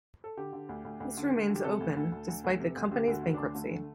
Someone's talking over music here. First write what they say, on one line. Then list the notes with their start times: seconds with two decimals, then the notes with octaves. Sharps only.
This remains open, despite the company's bankruptcy.
0.24 A4
0.37 D3 G4
0.53 D3
0.69 D2
0.85 D2
1.00 D2
1.17 D3
1.33 D3
1.48 D3
1.55 G4
1.64 C3 A4
1.80 D2
1.96 D2
2.12 D2
2.28 D2
2.44 D2
2.60 C3
2.76 D2
2.91 D3 G4
3.07 D2
3.13 F#4
3.24 D3
3.34 D2 D4
3.55 D3 A3
3.71 D3